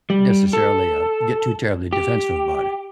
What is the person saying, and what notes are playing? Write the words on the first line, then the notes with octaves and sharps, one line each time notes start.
necessarily, uh, get too terribly defensive about it.
G3
A4
G4